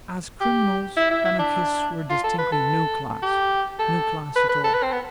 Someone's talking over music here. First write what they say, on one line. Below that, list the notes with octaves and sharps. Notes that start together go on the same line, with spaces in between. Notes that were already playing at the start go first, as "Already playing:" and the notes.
As criminals, anarchists were distinctly no class--no class at all.
G4
E4
E4
E4
D4
F4
A4
B4
A4
G4
A4
B4
B4
A4
B4
C4
B3